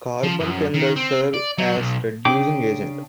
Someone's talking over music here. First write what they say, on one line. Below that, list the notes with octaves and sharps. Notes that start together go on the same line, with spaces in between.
Carbon can thus serve as reducing agent.
F3
F#2
D#3
C4
D5
F#3
B1
C#3 D4 G#4 G5 D6